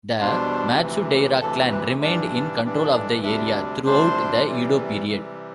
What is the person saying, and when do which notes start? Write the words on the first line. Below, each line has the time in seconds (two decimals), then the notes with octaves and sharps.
The Matsudaira clan remained in control of the area throughout the Edo period.
0.20 E2 B2 G3 D4 C5
0.81 D2 C3 E3
1.41 D2 C3 E3 A4
1.73 B4
2.02 G2 E3 G3 D4 D5
2.64 G2 E3 G3 D4
3.24 D2 C3 G3 D4 E5
3.85 D2 C3 G3 D4 C5
4.45 C3 E3 G3
5.06 C3 E3 G3